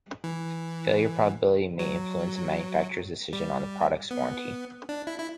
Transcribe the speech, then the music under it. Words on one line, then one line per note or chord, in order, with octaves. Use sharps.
Failure probability may influence a manufacturer's decisions on a product's warranty.
E3
F#3
G3
B3
D4
E4
E4